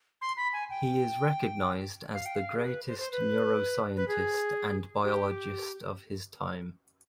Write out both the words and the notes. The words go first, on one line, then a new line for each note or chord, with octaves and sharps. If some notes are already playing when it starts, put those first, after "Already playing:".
He is recognized as the greatest neuroscientist and biologist of his time.
C6
B5
G#5
G5
F5
G5
F5
G#4
B4
C5
C5
B4
B4
G#4
G4